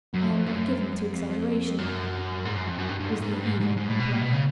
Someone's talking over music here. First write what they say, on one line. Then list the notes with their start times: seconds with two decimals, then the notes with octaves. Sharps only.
"I am not given to exaggeration," was the even reply.
0.14 F#2
0.30 F2
0.46 F#2
1.12 F2
1.79 F#2
2.45 G#2
2.56 F#2
2.67 F2
2.78 F#2
2.89 G2
3.00 G2
3.12 G#2
3.22 G#2
3.33 G2
3.44 G#2
3.61 G#2
3.77 G#2
3.88 A2
4.00 B2
4.10 A#2
4.21 B2
4.32 C#3